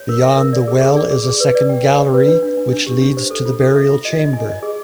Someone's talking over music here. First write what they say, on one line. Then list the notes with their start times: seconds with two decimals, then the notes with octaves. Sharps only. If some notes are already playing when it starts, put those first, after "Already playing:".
Beyond the well is a second gallery which leads to the burial chamber.
Already playing: C#5
0.09 A#4
0.23 E5
0.37 A#4
0.53 D5
0.68 G#4
0.82 G#4
0.96 D5
1.11 G#4
1.25 G#4
1.40 B4
1.55 D5
1.70 G5
1.85 D5
1.98 B5
2.14 B4
2.28 D4
2.43 D4
2.57 D4
2.73 D4
2.87 G4
3.02 D4
3.17 C5
3.31 A4
3.45 F4
3.60 A4
3.76 E5
3.90 F4
4.05 D#5
4.19 D#5
4.33 G#5
4.49 D#5
4.63 G#4